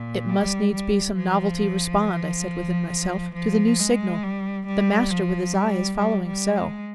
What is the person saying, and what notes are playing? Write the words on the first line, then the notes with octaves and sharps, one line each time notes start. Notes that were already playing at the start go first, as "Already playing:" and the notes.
"It must needs be some novelty respond," I said within myself, "to the new signal The Master with his eye is following so."
Already playing: A#2
G3
G3
F3
F3
G#3
G3
G3
F3
G3
G3
G3
G#3